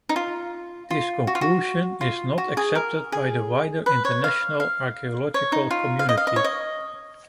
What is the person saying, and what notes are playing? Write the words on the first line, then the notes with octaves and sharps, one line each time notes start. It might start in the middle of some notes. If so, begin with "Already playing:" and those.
This conclusion is not accepted by the wider international archaeological community.
D#4
F4
F4
F#4
F4
F#4
F4
F#4
G#4
A#4
G#4
B4
C#5
F5
F5
C#5
D#4
F4
F5
D#5
F5
D#5
C#5
D#5